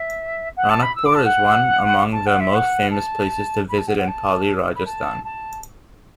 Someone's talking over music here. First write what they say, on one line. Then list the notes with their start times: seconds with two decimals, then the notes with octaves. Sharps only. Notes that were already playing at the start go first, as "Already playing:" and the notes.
Ranakpur is one among the most famous places to visit in Pali, Rajasthan.
Already playing: E5
0.56 F#5
0.69 A5
0.82 B5
0.95 E6
1.05 D6
1.15 A5
1.24 F#5
2.12 A5
2.26 F#5
2.40 E5
2.54 F#5
2.90 A5
3.68 B5
3.78 A5
3.88 F#5
3.98 F#5
4.07 A5
4.75 B5
4.85 A5
5.24 A5